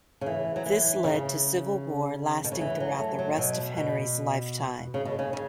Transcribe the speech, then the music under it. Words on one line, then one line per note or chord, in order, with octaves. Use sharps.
This led to civil war lasting throughout the rest of Henry's lifetime.
C#3
E3
F#3
E3
C#3
B2
C#3
E3
F#3
A3
F#3
B2
B2
C#3
B2
C#3
C#3